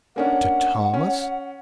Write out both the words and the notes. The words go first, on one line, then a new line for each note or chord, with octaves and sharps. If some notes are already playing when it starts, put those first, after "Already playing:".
To Thomas!
A#3 C#4 D4 F#5
C#4